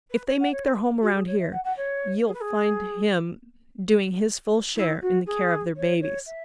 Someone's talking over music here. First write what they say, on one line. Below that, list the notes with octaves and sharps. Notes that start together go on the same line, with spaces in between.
If they make their home around here you'll find him doing his full share in the care of their babies.
B4
C#5
F#5
C#5
B4
F#4
G#4
C#5
E5
F#5
F#5
C#5
G#4
B4
G#4
E4
F#4
G#4
C#5
C#5
E5